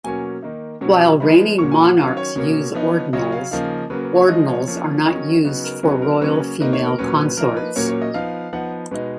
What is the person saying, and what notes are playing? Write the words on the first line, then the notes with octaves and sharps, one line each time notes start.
While reigning monarchs use ordinals, ordinals are not used for royal female consorts.
B2 F#3 A#3 C#4 G#5
D#3 A#3 D#4
B2 F#3 C#4
F3 G#3 B3 D#4 B5
A#2 F#3 A#3 C#4 C#6
G#5
F#5
D#3 F#3 C#4 F5
C#5
B2 A#3 C#4
F3 B3 D#4
C#3 F#3 C#4 D#5
F5
C#3 F3 A#3 D#4 F5
C#3 F#3 A#3 B4
B4
C#5
F3 G#3 D#4 D#5
C#5
F3 A#3 C#4
D#3 F#3 C#4 D#5
C#3 F#3 B3 D#4 B4
A#4
C#3 F#3 B3 D#4 B4
A#4
C#3 F#3 A#3 C#4 B4
D#3 A#3 D#4 B4
C#5
A#4
A#2 F#3 C#4 B4
B4
F3 A#3 D#4 A#4
B4
A#2 F#3 A#3 C#4 C#5
C#5
D#5
F3 B3 D#4 F5
F3 B3 D#4 F#5
B2 G#3 B3 D#4 B4